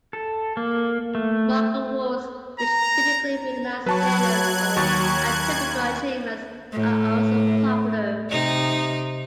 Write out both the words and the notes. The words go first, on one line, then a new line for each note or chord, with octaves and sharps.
Mock awards, which typically recognize failures or atypical achievements, are also popular.
A4
A#3
A3
A#5
F#3 B4 A5 C#6 F#6 G#6
D#2 C#6 A6
A2
C3 D#4 D#5